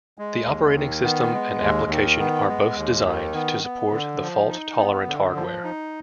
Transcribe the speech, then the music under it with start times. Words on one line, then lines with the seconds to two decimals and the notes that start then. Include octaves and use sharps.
The operating system and application are both designed to support the fault tolerant hardware.
0.18 G#3
0.47 D#2
0.76 D#3
1.04 B3
1.33 G#3
1.62 D#2
1.90 D#3
2.19 B3
2.48 G#3
2.77 D#2
3.06 D#3
3.34 B3
3.63 B3
3.92 D3
4.21 F3
4.49 D#4
4.78 B3
5.07 D3
5.35 F3
5.64 D#4